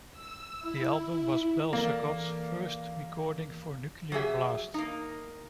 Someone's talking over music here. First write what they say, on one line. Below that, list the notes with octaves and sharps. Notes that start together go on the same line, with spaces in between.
The album was Bal-Sagoth's first recording for Nuclear Blast.
E6
E4
E3 A#3 A4 D5
F#3 G4 G#4 E5
A#3 D#4